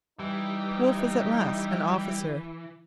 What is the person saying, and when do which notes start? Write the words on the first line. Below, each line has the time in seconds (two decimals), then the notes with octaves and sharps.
Wolfe was at last an officer.
0.19 E3 G3 D#4